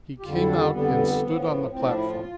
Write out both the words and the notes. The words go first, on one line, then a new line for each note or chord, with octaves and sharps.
He came out and stood on the platform...
G4
F2 D3 G3 F4
E4
D4
F2 D3 G3 B3
A2 F3
A2 F3 C4
D4
E4
F4
F4